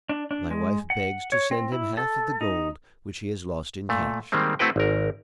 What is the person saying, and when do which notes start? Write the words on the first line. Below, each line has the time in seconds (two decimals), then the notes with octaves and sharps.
My wife begs to send him half of the gold which he has lost in cash.
0.09 D4
0.31 D4
0.51 G#3
0.90 F#5
1.32 C#5
1.51 C4
1.72 E4
1.97 A4
2.41 D#4
3.89 A#2 A3
4.32 D#3 G3 G#3 A#3 C4
4.59 A3 C4 E4 F#4 B4 G5
4.76 G#1 A#4